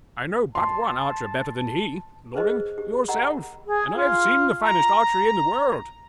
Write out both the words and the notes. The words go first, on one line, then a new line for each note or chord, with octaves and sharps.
"I know but one archer better than he, lording--yourself; and I have seen the finest archery in the world."
A5 C6
G#4 B4 C5 D#5
G4
G4 A#4 D#5 F#5 A#5 B5
G#4
F4
A#5